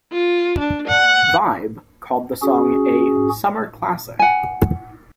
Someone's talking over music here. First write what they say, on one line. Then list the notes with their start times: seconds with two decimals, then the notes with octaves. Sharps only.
"Vibe" called the song a "summer classic".
0.12 F4
0.59 D4
0.88 F#5
2.42 C#4 F#4 G#4
4.19 F#5 G#5